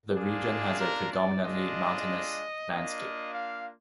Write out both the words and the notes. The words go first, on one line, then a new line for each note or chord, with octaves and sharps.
The region has a predominantly mountainous landscape.
A#3 D4 F4 G#4
A#4
D5
G#3 D4 F4 D#5
A#3 D4 F4 D#5
F5